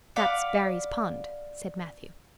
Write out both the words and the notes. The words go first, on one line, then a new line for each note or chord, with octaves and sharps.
"That's Barry's pond," said Matthew.
D5 F5 F#5 B5